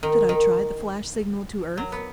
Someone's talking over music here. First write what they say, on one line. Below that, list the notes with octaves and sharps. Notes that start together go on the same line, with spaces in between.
Should I try the flash signal to Earth?
D#3
D#3
F#3
B3